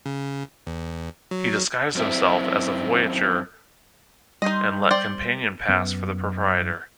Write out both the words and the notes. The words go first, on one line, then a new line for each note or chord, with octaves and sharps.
He disguised himself as a voyageur and let Campion pass for the proprietor.
C#3
E2
F#3
F#2 C4 E4
G3 D#4 D#5 C6 G6
C5 D5 G5
F#2 B3